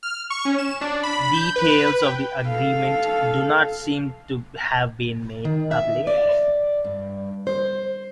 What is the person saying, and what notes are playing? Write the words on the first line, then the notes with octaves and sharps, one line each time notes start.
Details of the agreement do not seem to have been made public.
F6
C#6
C#4
E7
D4
B5
G6
B4
G5
A4 F5
D#3
E5
D5
G2
C5